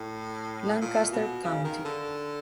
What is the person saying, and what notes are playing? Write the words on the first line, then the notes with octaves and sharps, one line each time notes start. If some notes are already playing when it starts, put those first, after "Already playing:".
Lancaster county.
Already playing: A2
A#2
B2
C#3
D#3
D3